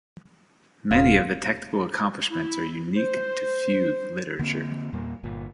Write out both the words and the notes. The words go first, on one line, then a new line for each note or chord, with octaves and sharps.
Many of the technical accomplishments are unique to fugue literature.
D#1 A#2 C#3 F4
E4
C5
D3 A#3 C4
E2 A#2 G3 A#3
G1 A#2